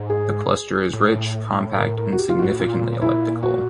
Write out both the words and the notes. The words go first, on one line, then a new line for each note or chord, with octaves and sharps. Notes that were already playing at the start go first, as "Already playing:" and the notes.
The cluster is rich, compact, and significantly elliptical.
Already playing: G#2
G#4
A2
A#4
A#4
F#4
G4
F4
G#2 F#4
A2
A#2 F4
E4
F#4